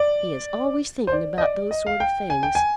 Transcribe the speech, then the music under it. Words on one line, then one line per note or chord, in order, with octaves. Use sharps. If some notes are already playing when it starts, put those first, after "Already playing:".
He is always thinking about those sort of things.
Already playing: D5
C5
D5
D#5
D5
D#5
F5
G5
G#5
G5
G#5